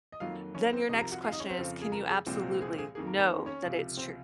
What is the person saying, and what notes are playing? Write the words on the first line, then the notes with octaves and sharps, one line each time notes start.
Then your next question is, "Can you absolutely know that it's true?"
D#5
F2 D#3 F#3 A#3 F4 F5
C#4 C#5
C4 C5
C2 C3 F3 D#4 D#5
A#4 A#5
F#4 F#5
F4 F5
D#4 D#5
C#4 C#5
C4 C5
F2 C#3 F3
G#4
A#4
G#4
C2 A#2 F3 G#3 C4 C5
G#4
G#4
F2 D#3 A#3 G#4
A#4
A#4
C#4 C#5
C#2 C3 F3
C4 C5